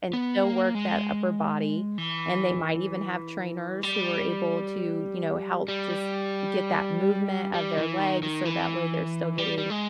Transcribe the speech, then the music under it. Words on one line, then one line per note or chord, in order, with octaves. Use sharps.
and still work that upper body, and they might even have trainers who are able to, you know, help just get that movement of their legs so that way they're still getting,
B3
A#3
G#3
E3
G3
G3
G3
E3
D#3
D#3
E3
G3
G3
G#3